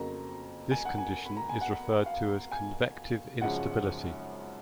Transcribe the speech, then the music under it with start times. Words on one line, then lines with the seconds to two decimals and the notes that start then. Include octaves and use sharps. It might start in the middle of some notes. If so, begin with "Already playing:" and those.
This condition is referred to as "convective instability".
Already playing: F2 C#3 F#3 A#3 A#5
0.71 G#5
0.85 F#5
0.98 G#5
1.25 B5
1.37 A#5
1.49 G#5
1.61 F#5
2.06 F5
2.52 G#5
3.41 G#1 F#2 C#3 F3 G#3 F#5